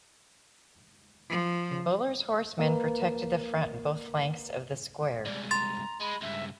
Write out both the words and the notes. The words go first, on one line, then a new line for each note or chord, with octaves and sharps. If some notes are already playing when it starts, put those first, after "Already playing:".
Buller's horsemen protected the front and both flanks of the square.
F3
A#3 B4
C2 G#2 D5
A#5 C6 A6
G#3 B5
C#2 G2 E5